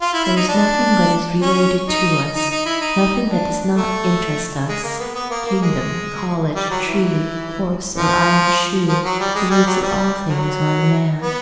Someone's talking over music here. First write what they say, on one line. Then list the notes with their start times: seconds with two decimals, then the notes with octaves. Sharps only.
There is nothing but is related to us, nothing that does not interest us,--kingdom, college, tree, horse, or iron shoe,--the roots of all things are in man.
0.01 F4
0.13 E4
0.25 E4
0.36 D#4
0.48 D4
1.42 C#4
1.88 D#4
2.35 D#4
2.51 D#4
2.66 E4
2.81 D#4
3.28 D4
3.75 A3
4.68 G#3
4.84 A#3
4.99 B3
5.15 B3
5.31 A#3
5.46 A#3
5.62 G#3
6.55 G3
6.70 F#3
6.86 E3
7.95 F3
8.88 F3
9.04 F#3
9.20 G3
9.35 G#3
9.50 G3
9.66 F#3
9.82 G3
10.28 F#3
11.22 B3